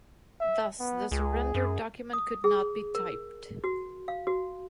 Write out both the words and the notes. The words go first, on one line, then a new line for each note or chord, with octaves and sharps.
Thus the surrender document could not be typed.
E5
B3
C#2 G#4
F#2
D#6
G#4
A#4
F#4
F5
F#4